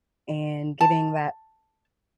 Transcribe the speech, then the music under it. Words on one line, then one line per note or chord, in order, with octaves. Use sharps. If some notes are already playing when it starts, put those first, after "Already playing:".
and, giving that
A5